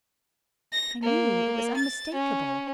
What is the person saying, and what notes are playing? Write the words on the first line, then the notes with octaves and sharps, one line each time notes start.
I knew; it was unmistakable.
A#6
A#3
A6
C#4